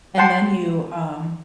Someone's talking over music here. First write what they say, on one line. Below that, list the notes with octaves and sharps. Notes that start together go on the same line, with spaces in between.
and then you, um,
F#5 G5 A5 C6